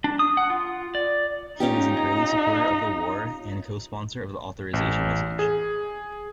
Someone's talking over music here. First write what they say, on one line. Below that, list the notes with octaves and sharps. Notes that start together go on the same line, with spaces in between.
He was an early supporter of the war, and cosponsor of the authorization resolution.
D4
D#6
F#5
F4
D5
C#4 D#4 F4 G4
A1
G#4